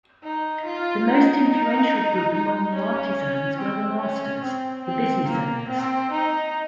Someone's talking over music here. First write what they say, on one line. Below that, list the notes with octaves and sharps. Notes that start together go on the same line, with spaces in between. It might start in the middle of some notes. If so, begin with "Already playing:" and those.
The most influential group among the artisans were the masters, the business owners.
D#4
F4
D#4
D#4
D#4
C#4
C4
C#4
C4
C4
A#3
C4
D#4